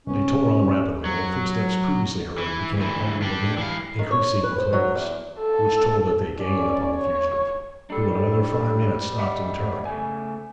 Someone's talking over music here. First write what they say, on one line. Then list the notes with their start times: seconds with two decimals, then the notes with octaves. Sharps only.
They tore on rapidly, and the footsteps previously heard became audible again, increasing in clearness, which told that they gained upon the fugitive, who in another five minutes stopped and turned.
0.07 C2 B3 C#4
1.05 F#3
2.38 E3
2.77 D2 E3
3.22 D4 G4
3.57 E3 F5
3.99 D#3
4.11 C#5
4.44 B4
4.58 C5
4.73 F#3
4.95 E2
5.39 A4
6.39 C#4 D5
6.93 C#5
7.90 G3 D4 A4
9.19 D#5 E5 F#5
9.85 C#3 A3 G#5